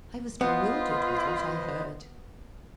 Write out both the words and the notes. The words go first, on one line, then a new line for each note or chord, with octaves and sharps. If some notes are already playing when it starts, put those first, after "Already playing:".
I was bewildered with what I heard.
B3 F4 B4 C5 D#5